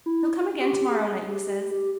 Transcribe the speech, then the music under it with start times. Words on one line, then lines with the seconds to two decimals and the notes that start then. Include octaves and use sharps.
'He'll come again to-morrow night, he says.
0.06 E4
0.61 G4
0.89 G#4
1.30 G4
1.71 G4